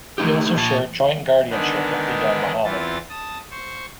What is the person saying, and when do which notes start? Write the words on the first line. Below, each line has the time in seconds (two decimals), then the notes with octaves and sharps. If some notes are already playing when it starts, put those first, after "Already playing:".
He also shared joint guardianship of the young Muhammad.
0.18 A3 D#4 G4
0.56 A#2 A5
1.50 D3 D#3 G#3 B3 D4 D#4
2.64 E2 E3 B3 C4 F4 A6
3.09 A5 D#6
3.51 C5 C#6